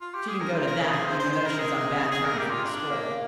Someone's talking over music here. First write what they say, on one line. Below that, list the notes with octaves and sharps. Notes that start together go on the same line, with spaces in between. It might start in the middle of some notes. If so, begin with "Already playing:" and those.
"She can go to that, even though she is on bad terms with the school."
F4
G4
G#4
A#4
C5
A#4
G#4
G#4
C5
C5
C5
A#4
G#4
G#4
A#4
G4
F4
D4
A#3